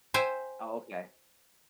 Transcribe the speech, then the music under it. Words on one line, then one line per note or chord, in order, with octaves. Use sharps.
Oh, okay.
C5 E5 G5 G#5